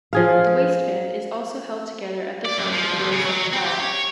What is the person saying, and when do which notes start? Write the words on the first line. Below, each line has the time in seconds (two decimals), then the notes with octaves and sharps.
The waistband is also held together at the front with a lace-up tie.
0.13 F3 G#4 F5
2.45 D5
2.58 F#2
2.72 F3
2.98 B1
3.12 C#3
3.25 F#3
3.53 C4
3.66 G4
3.80 C#5